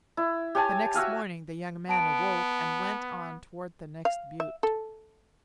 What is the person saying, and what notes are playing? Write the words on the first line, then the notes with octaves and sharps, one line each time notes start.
The next morning the young man awoke and went on toward the next butte.
E4
G4 C#5 G#5 A5
F#4 E5 F5 G#5
B3 A5 D7
F5
E5
A4